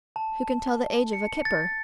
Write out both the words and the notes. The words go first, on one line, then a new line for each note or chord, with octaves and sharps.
Who can tell the age of a kipper? . . .
A5
C#7
A6